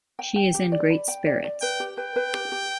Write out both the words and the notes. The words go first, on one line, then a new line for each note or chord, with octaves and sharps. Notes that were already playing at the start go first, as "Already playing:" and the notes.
She is in great spirits.
G5
G5
G4
D5
B5
G5
D5
D5
B4 G5
G4
B4 G5
B4
G4
G4